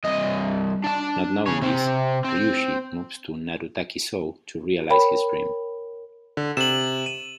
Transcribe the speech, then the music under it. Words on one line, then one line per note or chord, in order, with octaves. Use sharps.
Not knowing this, Ryushi moves to Narutaki-Sou to realize his dream.
C2 D#5
D4 A5
G#4 C#5
C3 C4
C4
A#4 C#5 G5 B5
D3
C3 E7 F#7
D#7